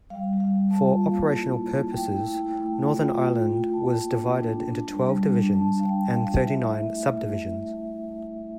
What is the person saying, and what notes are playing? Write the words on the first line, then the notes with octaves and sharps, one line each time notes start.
For operational purposes, Northern Ireland was divided into twelve Divisions and thirty-nine Sub-Divisions.
G3 F5
G3
F5
G3
A5
F4
A#3
E4
A#3
E4
A3 G5
E4
E4
A3
F4
F4
F4
F4
F4 A5
A#3
D4
D4
D4
G3
G3
D4
G3 A5
D4 F5
G5
G3
F5
F4
E4 E5
A3
A3